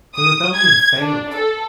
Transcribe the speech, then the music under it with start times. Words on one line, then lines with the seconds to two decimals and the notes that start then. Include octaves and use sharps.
The rebellion failed.
0.16 D#6
0.54 G#6
0.99 D4
1.33 A4